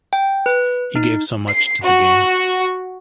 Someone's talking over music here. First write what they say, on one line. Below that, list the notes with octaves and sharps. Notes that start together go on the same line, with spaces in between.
He gave so much to the game.
G5
B4
D#4
C7
F#4